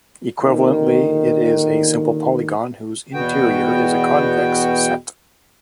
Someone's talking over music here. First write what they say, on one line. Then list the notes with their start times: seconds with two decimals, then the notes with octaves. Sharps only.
Equivalently, it is a simple polygon whose interior is a convex set.
0.41 D#2 A#2 D3 D#3
3.14 E2 B2 B3 F#4 G5